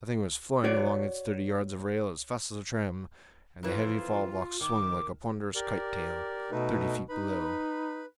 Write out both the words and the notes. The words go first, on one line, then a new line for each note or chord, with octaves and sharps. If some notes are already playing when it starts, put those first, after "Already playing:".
The thing was flying along its thirty yards of rail as fast as a tram, and the heavy fall-blocks swung like a ponderous kite-tail, thirty feet below.
F#4 C#5 D5
F2 E3 F4
D#3 D6
G4 A#4 D5
B2 A3 D#4 B4
D#4 B4 B5